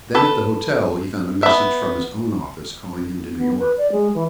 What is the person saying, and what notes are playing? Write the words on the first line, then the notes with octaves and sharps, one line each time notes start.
Then at the hotel he found a message from his own office calling him to New York.
A4 B4
B3 E5
B3
B4
D5
G#3
E3